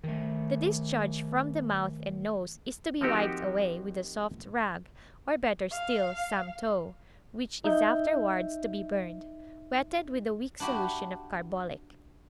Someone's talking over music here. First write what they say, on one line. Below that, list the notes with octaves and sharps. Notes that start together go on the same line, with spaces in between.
The discharge from the mouth and nose is to be wiped away with a soft rag--or, better still, some tow, which is afterwards to be burned--wetted with a weak solution of carbolic.
D#3 A3
F3 A#3 C4 D#4 F#4 G4
F5
D#4 E5 G6
D4 E4 F#4 G4